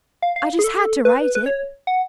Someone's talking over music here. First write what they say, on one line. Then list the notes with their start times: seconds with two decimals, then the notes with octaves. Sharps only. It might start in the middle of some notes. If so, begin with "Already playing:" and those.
I just had to write it.
0.22 F5
0.36 F5
0.59 G#4
0.64 A4
1.05 B4
1.35 B4
1.46 C#5
1.87 F#5